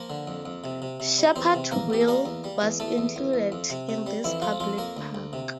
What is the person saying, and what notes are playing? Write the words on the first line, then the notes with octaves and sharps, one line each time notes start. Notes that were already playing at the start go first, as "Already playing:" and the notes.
Shepherd Wheel was included in this public park.
Already playing: F3 A#3 A#4
D3
F2
F2
C3
C3
C3
G3
E2 C4 C5
C3
E2 A#3 A#4
E2 G4
A4
G3 A#3 A#4
E2
G3
E2
E2 A3 A4
E2
E2
E2
F2
C3
C3
G3
F2 E3 E4
F2 F3 F4
F2 F3 F4
F2 A#3 A#4
D2
D2
C3